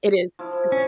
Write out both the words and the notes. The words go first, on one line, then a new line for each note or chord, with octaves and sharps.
It is.
F3 E4
C#4